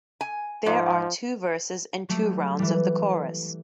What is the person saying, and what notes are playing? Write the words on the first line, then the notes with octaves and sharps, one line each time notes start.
There are two verses and two rounds of the chorus.
G#5
G#2 F3
F#3 G3 A3
E3 G3